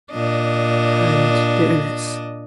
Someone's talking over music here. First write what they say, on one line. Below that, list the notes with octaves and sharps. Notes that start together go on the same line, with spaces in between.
And bitterness.
A#2 D4 D#5